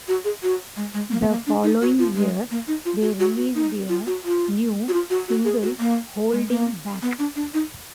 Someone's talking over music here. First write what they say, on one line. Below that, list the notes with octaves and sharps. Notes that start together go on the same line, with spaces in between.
The following year they released a new single "Holding Back".
F#4
G#4
F#4
G#3
G#3
A#3
B3
A#3
D4
D#4
F#4
F4
G#3
A#3
D#4
F4
F#4
F#4
F#4
D#4
F4
F#4
F4
F#4
F4
F#4
F#4
G#4
F#4
A#3
G#3
A#3
B3
D4
D4
D#4